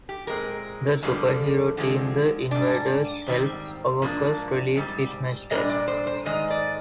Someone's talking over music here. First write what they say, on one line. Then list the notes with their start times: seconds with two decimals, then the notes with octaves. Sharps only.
The superhero team the Invaders help Aarkus realize his mistake.
0.09 G4
0.27 A#2 G#3 C4 A#4
1.03 F2 D3 G3 A#3
1.77 D3 F3 G#3 C4
2.51 G#2 G3 D4 D5
3.26 G#2 D#3 G3 C4
4.02 G#2 F3 A#3 D4
4.76 G#2 G3 C4
5.51 A#2 G3 D4 D#5
5.69 D5
5.88 C5
6.07 C5
6.25 G#2 D#3 G#3 D#5
6.50 D5